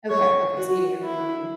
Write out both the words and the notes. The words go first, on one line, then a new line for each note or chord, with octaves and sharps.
Okay, okay, so you're familiar.
C#5
F#4
E4